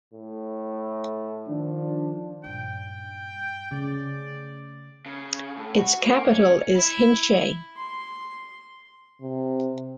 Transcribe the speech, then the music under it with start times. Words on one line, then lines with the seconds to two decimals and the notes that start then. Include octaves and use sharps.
Its capital is Hinche.
0.14 A2
1.48 D#3 F3 D4
2.44 G2 A#2 G5
3.71 C#3 A3 D5
5.06 C#3
5.57 A2
5.77 F#4
6.03 A#3
6.24 C#4
6.75 E4
7.77 C6
9.21 C3